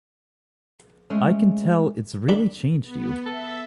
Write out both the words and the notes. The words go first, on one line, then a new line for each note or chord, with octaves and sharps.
I can tell it's really changed you.
G#3 A3 C#4
D#2 D4 B5
B3
A4 E5